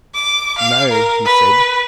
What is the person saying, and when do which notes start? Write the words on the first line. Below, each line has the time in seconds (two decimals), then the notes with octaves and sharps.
"No," he said.
0.15 D6
0.58 F5
0.91 A#4
1.25 B4